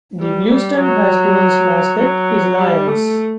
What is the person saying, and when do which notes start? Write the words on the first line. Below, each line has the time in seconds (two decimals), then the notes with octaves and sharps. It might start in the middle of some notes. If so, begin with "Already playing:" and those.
The Bluestem High School mascot is Lions.
0.19 G3
0.49 G3
0.79 F#3
1.98 F#3
2.58 G3
2.88 A3